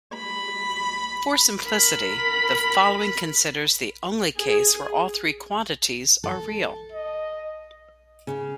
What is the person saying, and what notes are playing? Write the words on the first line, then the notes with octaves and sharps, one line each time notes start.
For simplicity, the following considers only the case where all these quantities are real.
B5
A#4 B5
G#4
A4
D#5
C#3